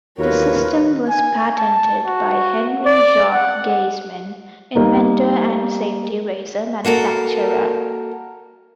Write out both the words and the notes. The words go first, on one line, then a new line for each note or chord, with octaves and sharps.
The system was patented by Henry Jacques Gaisman, inventor and safety razor manufacturer.
D#2 F4 F#4 A#4 B4 C#5
G#5
A5
F#4
D5
F#5
G3 A#3 D#4
A#3 F#4 A4 A#4